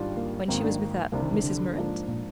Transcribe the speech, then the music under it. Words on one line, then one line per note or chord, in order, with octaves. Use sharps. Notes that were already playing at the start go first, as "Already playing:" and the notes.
"When she was with a Mrs. Murrett?"
Already playing: G#1 G#2 G3 D4 F4
A#3
G#1 G#2 D#3 A#3 C4
D4
C2 C3 G3 A#3 D4
D#3
D#3
D3
G#2 F3 A#3 D4
A#2